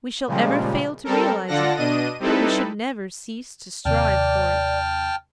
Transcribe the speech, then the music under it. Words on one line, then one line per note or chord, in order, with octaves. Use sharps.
We shall ever fail to realise it, but we should never cease to strive for it.
A#2 C#3 F3 G3 G#3
G3 C4 A4 A#4
D3 F4 A4 D5 F#5 A#6
B2 D4 D#5 D#7
G3 C4 D#4 E4 A4 B4
D#2 C3 D5 G5 A5 F6